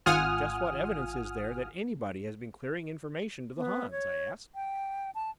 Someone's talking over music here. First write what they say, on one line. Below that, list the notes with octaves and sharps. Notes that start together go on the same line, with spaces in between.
"Just what evidence is there that anybody has been clearing information to the Hans?" I asked.
G#1 F4 F#5 G#5 D#6 F6
B3
C#5
G5
A5